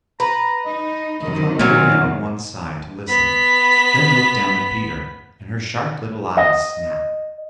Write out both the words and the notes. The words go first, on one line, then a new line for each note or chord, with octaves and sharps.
She cocked her head on one side to listen, then looked down at Peter, and her sharp little eyes snapped.
B4 A#5
D#4 D#5
F#2 C3 D#3 D#5
A#2 F#3 A#3 F5
B3 B6
D#5